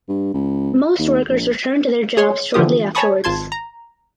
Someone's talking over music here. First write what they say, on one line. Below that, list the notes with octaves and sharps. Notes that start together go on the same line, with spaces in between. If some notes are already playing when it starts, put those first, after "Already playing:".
Most workers returned to their jobs shortly afterwards.
G2
C#2
D#2
A#1
G#4 C#5 C6
D3 E3 F3 F4 G4 D#6
C#5 G#5 A5 B5 C#6 D#6
G#1 F4 A5 C6 G#6
A#5